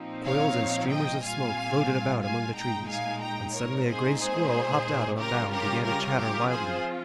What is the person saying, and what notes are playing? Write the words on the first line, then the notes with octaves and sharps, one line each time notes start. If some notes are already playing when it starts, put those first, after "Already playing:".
Coils and streamers of smoke floated about among the trees, and suddenly a gray squirrel hopped out on a bough and began to chatter wildly.
Already playing: A#2 F3 C4 D#4
C#5 F5
D#5 G5
A#2 G3 C4 F4 F5 G#5
F5 G#5
A#2 G#3 D#4 G5 A#5
F5 G#5
G5 A#5
A#4 C#5
A#2 G#3 C4 D#4 G#4 C5
G#4 C5
C#3 G3 C#4 F4 G4 A#4
G4 A#4
G4 A#4
G4 A#4
F3 C4 F4 G#4 C5